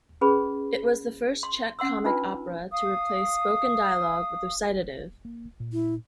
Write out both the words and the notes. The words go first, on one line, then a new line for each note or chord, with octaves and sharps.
It was the first Czech comic opera to replace spoken dialogue with recitative.
C#4 G#4 B4 B5
C6
C#4 F#5 C6 E6
D4 D#4 F4 B4
F5 D#6
A#3
A#2
E4